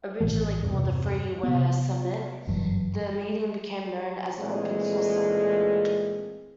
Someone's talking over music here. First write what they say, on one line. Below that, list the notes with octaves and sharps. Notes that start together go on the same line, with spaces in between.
Originally called the freeware summit, the meeting became known as the Open Source Summit.
A#1 A2 E3 A3
E2 G2 C3
C3 B3
F#1 G2 E3 F#3
A#2 E3 G#3 A3 C4 G#4